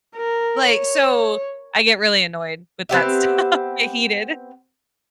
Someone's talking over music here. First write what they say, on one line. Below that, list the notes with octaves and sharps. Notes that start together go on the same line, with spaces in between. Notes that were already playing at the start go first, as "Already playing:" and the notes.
like, so I get really annoyed with that stuff, get heated.
A#4
C#5
B3 C4 G4 E5